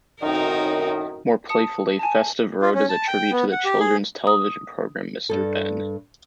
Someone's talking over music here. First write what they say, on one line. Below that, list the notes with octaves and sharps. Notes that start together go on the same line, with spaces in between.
More playfully, "Festive Road" is a tribute to the children's television programme Mr Benn.
F#2 A2 D#3 C4 D#4 F#4 A#4
A5 D#6 C#7
G#5 A5
F4
C#4
A5
G5
B3
F#5
G4
G#4
D#6
G2 A4